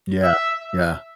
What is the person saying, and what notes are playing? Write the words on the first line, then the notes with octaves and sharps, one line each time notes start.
Yeah, yeah.
E5